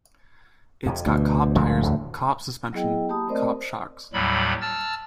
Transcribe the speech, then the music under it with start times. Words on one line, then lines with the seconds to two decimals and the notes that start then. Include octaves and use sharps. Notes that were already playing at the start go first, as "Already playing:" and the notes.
It's got cop tires, cop suspension, cop shocks.
0.86 F2 C3
1.06 D2 B2
1.56 A#2 F3 G#3
1.83 E2 A2
2.73 F#3 B3 E4 G#4 D#5 G5
3.09 A#3 G4 A5 B5 D#6
3.28 A3 C4 A#4 C5 D5 D#5
4.13 D#2 A2 F#3 G3 B5
4.61 A5 E6 F6 A6